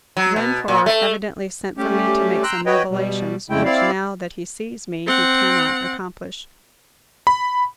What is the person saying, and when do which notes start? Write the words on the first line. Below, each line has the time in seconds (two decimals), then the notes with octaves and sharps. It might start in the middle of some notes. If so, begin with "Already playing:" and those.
Glencore evidently sent for me to make some revelations, which, now that he sees me, he cannot accomplish.
0.17 F#3
0.36 B2
0.68 A#2
0.86 A3
1.77 G3 A3 C#4 G4
2.43 G5 A#5 C6 E6 F#6
2.66 F#4 B4 C#5 D#5 G5
2.91 B2 G3
3.50 F2 C#3 G#3 A3 E4 G5
3.65 C4 E4 D5 F5
5.06 C4 F#5
7.27 B5